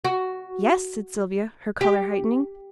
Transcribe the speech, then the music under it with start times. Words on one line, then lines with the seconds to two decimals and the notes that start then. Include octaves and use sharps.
'Yes!' said Sylvia, her colour heightening.
0.05 F#4
1.81 G4